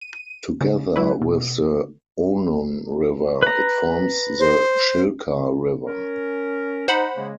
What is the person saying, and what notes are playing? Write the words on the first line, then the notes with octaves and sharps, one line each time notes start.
Together with the Onon River, it forms the Shilka River.
D#7
C#3
F#3 E4 B4
B2
B4 A#5
C5
C#4 A#4
D#4 C5 F#5 B5
C#3 G#3 A#3